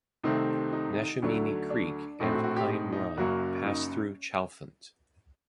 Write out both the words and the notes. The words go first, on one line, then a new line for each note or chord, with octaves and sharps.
Neshaminy Creek and Pine Run pass through Chalfont.
C2 C3 D#3 A3 C4 D#4
D#4
D2 D3 F#3 A3
D4
A#1 A2 A3 C4 D#4
F#4
F#4
G4
D#4
D#4
F#1 F#2 F#3 A#3 F#4
D#4